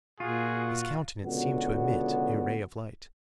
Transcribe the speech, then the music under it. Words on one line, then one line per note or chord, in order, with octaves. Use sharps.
His countenance seemed to emit a ray of light.
A#2 F4 F#4 G#4
C#2 B2 D3 B3 F#4